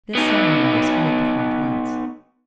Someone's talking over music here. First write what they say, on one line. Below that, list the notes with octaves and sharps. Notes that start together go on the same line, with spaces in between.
This ceremony is only performed once.
B3 D#4